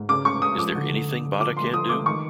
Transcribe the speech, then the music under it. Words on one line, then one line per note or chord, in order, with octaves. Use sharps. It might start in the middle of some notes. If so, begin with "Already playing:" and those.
Is there anything Bata can't do?
Already playing: G#2
C#3 D6
C#3 C#6
C#3 D#6
F3 D6
D3
D3
D3
D3
F3 D6
A3 C6
F3 D#6
A3 D6
D#3 C#6